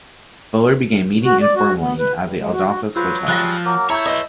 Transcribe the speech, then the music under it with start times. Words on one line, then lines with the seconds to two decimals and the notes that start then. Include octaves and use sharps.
Bullard began meeting informally at the Adolphus Hotel.
1.24 F#4
1.42 D5
1.55 F#4
1.79 B3
1.99 B4
2.18 G2
2.37 G#3
2.52 F#4
2.66 F#4
2.96 F#3 F4 B4 C5
3.28 F3 G3 G#4 F#6 A6 A#6
3.65 F#3 A#3 A#4
3.90 E4 C#5 A5 A#5 C#6 G6
4.06 B4 C#5 D#5